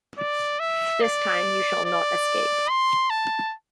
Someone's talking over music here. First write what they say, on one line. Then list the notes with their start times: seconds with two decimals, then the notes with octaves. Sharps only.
This time you shall not escape.
0.18 D5
0.60 E5
1.02 D5
1.85 D5
2.69 C6
3.10 A5